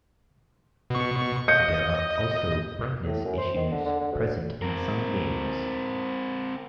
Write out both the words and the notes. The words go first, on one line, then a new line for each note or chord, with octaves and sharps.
There are also brightness issues present in some games.
B2 C#6
D#5 G6 C#7
A2
F#2
C5
D#3
D3
D3
D3
D2
C4 A#4